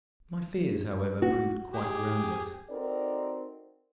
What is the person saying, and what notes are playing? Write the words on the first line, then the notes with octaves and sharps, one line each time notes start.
My fears, however, proved quite groundless.
F#4
G4 G#4
C4 D#4 F#4 A4 A#4 D5